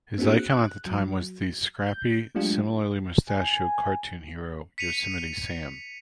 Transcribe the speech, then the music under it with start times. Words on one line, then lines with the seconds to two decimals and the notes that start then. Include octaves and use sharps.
His icon at the time was the scrappy, similarly-mustachioed cartoon hero, Yosemite Sam.
0.18 A#3 C4 D4 F#4 G#4
0.39 F#6
0.86 F#3
1.87 G6
2.35 F#3 G#3 A3 D4 F4 G4
3.29 G#5
4.78 B6 C#7 D#7 F7